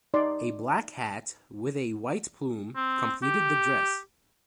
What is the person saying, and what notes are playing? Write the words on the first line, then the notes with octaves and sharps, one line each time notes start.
A black hat with a white plume completed the dress.
D#4 D5 C6
C4
G4